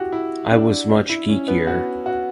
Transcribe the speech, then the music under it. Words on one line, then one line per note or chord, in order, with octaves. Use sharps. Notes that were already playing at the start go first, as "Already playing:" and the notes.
I was much geekier.
Already playing: E4 F#4 G4
E4
D4
D4
E4
C#4
B3
F#4
F#4